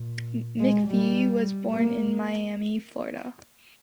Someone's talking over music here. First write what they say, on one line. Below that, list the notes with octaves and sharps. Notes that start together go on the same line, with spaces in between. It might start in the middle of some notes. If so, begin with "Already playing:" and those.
McPhee was born in Miami, Florida.
Already playing: A#2
G#3
G3
A#3